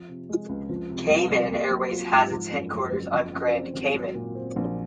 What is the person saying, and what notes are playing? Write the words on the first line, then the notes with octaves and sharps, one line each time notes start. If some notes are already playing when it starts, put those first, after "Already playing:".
Cayman Airways has its headquarters on Grand Cayman.
Already playing: F3
C3
G#3
C#2
F3
C3
C2
C2
A#3
F#3
F4
G#2
F3
F#2
F#1
F#1
F3
F#2
C4
G#1
F#3
A#2
C4
A#1